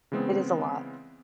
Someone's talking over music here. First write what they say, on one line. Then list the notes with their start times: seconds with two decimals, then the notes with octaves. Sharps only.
It is a lot.
0.12 C#3 E3 G#3 B3 C4